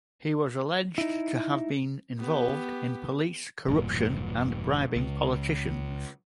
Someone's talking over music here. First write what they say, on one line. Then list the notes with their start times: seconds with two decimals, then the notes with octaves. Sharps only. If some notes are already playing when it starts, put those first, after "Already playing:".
He was alleged to have been involved in police corruption and bribing politicians.
0.98 D#4 E4
2.19 B3 G4
3.68 E1 G2 A#2
4.96 C#2